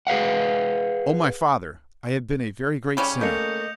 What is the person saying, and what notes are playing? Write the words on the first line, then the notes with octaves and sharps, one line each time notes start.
"O my father, I have been a very great sinner!"
G#4 B4 F5 F#5
C#3 G3 C#4 B5
A3 A#3 D#5 G6 C#7 F7